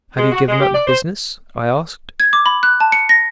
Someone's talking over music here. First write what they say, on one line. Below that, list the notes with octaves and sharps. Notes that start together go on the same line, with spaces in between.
"Have you given up the business?" I asked.
G#3
F#4
G#3
G4
D5
C5
G#6
D6
B5
F#6
A5
C#7
A#6